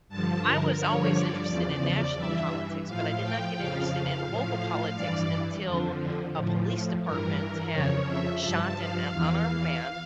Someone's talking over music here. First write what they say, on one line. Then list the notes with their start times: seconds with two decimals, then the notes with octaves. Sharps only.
I was always interested in national politics, but I did not get interested in local politics until a police department had shot an u unarmed man,
0.09 G2 D3 F3 A5
0.43 A#4
0.78 G2 D3 F3 C#5
1.14 D5
1.47 E2 C#3 F3
2.17 G2 E3 E5
2.87 A2 F3 F5
3.22 G5
3.56 F2 C#3 F3 F5
4.26 A2 F3
4.95 G2 E3 D5
5.64 F2 D3 F3
6.34 A2 F3
7.04 G2 E3 A#4
7.38 A#4
7.72 F2 C#3 F3 C#5
8.07 E5
8.42 G2 F3 A5
8.77 F5
9.12 E2 E3